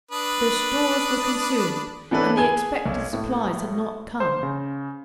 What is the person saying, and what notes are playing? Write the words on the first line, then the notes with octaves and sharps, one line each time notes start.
Their stores were consumed, and the expected supplies had not come.
D4 B4 D#6
E3 B3 D4 A4 B4 C#5
G#4 G#5 G#6
B1
A2
C5
C#3